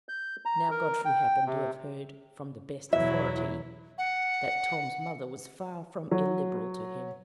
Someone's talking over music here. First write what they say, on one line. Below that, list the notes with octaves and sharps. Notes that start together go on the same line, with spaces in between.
Now Godfrey happened to have heard, "from the best authority," that Tom's mother was far from illiberal to him.
G6
A#5
A#4
G5
C3
E2 B2 E3 F#3 E4 E5
F#5
F#3